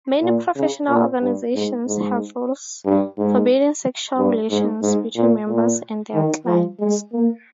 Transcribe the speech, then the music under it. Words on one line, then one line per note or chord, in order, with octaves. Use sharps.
Many professional organizations have rules forbidding sexual relations between members and their clients.
A#2
C#3
A#2
G2
G#2
G#2
G2
G#2
G2
G#2
G#2
A#2
A#2
D#3
F3
G#3
A#3